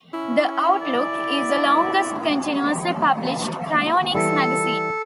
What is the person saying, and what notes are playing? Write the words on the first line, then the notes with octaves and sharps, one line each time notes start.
"The Outlook" is the longest continuously published cryonics magazine.
C#4 E4
D5
E3 G3 A4